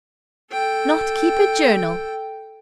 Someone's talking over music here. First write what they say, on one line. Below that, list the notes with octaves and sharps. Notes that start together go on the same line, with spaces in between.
Not keep a journal!
A4 G5